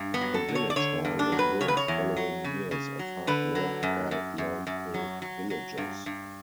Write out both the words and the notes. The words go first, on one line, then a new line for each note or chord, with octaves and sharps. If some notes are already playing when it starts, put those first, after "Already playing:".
The Village Hall was built following years of hard work by local villagers.
Already playing: G2
B3
F#3
A4
D3
C#5
D5
D3 C#5
G2
D4
F#3
B4
C#3 C#5
B4
C#5
E2
F#3
C#3
C#3
F#3
D3 B4
F#3
F#2
F#2
F#2
F#2
F#3
F#3
F#3
G2
G2